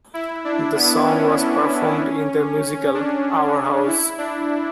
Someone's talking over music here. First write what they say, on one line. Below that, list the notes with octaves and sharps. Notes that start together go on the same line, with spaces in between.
The song was performed in the musical, 'Our House.
E4
D4
B3
C#4
D4
E4
D4